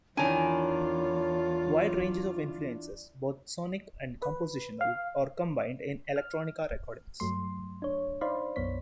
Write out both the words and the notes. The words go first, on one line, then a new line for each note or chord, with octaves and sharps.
Wide ranges of influences, both sonic and compositional, are combined in electronica recordings.
E2 D#3 D4 E4 F4 C#5 G#5
B4
F5
F6
G2 F#3 A3 C6
D4 C#5
D#4 C5 D5 F5 B5 C6
B1 F#2 B3 C#5 B6